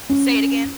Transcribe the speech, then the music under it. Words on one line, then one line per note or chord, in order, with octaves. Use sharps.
Say it again?
C#4